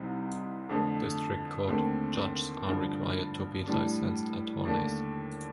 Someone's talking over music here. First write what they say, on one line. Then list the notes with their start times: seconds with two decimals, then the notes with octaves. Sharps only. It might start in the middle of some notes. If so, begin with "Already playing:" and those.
District court judges are required to be licensed attorneys.
Already playing: C2 C3 G3 C4 D#4
0.69 F2 D3 F3 A3
1.68 D#2 D3 A3 C4
2.67 G2 D3 F3
3.66 A2 G3 D4
4.65 D#2 D3 A3 D4